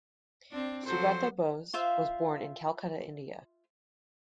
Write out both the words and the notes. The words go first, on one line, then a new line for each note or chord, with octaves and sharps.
Sugata Bose was born in Calcutta, India.
C4 D4
F3 F#3 A4 C5
F4 C5 E5 F5